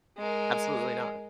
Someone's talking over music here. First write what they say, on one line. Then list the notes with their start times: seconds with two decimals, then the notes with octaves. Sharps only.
Absolutely not.
0.18 G#3 A#4